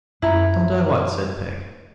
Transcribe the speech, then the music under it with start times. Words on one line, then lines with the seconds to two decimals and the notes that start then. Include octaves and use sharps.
'Don't I what?' said Peg.
0.22 F#2 A3 E4 A#5